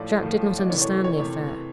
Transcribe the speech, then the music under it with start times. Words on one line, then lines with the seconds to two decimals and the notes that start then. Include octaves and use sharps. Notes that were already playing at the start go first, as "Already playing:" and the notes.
Jacques did not understand the affair.
Already playing: A2 F3 A3 D5
0.23 A2 F3 A3
0.59 D5
0.69 C3 E3 A3 C#5
0.81 C#5
1.04 C#5
1.16 C3 E3 A3